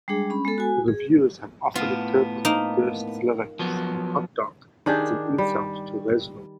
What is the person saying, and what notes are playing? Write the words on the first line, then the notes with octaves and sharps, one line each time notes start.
Reviewers have often interpreted Durst's lyrics in "Hot Dog" as an insult to Reznor.
G3 G#3 D4 G#4
C#4 B5
G#3 B3 A4
F#4 G#5
G#4
A2 B3 F4
A#3 D#4
F3 F#3 B3
D#3 D4 G4 G#4
G3